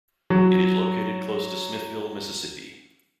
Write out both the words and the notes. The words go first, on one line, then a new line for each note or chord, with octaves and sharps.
It is located close to Smithville, Mississippi.
F#3